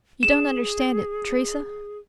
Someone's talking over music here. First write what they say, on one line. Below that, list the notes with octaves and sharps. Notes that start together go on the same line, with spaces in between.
"You don't understand it, Teresa?"
G#4 E7